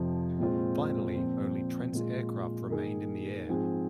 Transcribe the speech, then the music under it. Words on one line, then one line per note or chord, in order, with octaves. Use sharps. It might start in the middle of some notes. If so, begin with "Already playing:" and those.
Finally only Trent's aircraft remained in the air.
Already playing: F2 C3 F3
A#2 G#3 C4 F4 C5
A#2 F3 C4
A#2 G#3 F4
D#3 A#3 G#4
G#2 F3 C4 F4 G#4